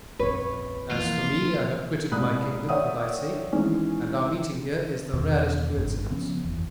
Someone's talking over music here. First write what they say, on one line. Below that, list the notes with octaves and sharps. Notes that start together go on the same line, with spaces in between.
As for me, I have quitted my kingdom for thy sake, and our meeting here is the rarest coincidence.
A#1 F2 B4 C#5
E3 F3 A#3 F4
C2 A#2 G#3 B5 D#6 F#6
C#5 D5 E5 F#5 G5 D#6
D#3 E3 G#3 C#4
E2 B2 D#3
G1 F2 G#2
C#3 F3 B3 C#4
F#1 E2